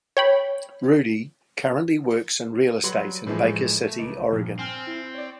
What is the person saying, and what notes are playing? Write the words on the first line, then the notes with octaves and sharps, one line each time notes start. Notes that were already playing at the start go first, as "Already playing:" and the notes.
Rudi currently works in real estate in Baker City, Oregon.
C#5 G5 B5
F#3 G3 B4 C6 F#7
A2 E3 F3 G#3
A3
C#2
G2 A#2 F3
C4 G5 G#5 F6
E4
C#5 D5